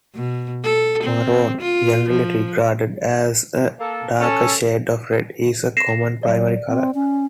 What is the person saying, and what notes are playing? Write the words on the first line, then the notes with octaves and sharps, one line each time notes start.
Maroon, generally regarded as a darker shade of red, is a common primary color.
B2
A4
C4
F4
F3
A#3 A4
C#4 A4
A#6 C7 E7
F#3 D5
C4
C#4